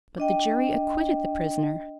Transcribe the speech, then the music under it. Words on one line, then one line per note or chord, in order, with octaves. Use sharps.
But the jury acquitted the prisoner.
D4 D#5 G5